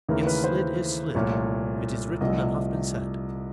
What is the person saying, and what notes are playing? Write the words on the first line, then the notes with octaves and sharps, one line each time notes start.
Yet Slid is Slid--it is written and hath been said.
D#2 C#3 E3 A3 A#4
A#4
B4
C5
C2 A#2 F3 A3 C#5
C2 C3 F3 A3 D#5